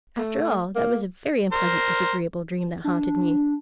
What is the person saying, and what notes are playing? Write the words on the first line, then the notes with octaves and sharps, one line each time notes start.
After all, that was a very unpleasant, disagreeable dream that haunted me!
A3
A#3
A#4 C5
D4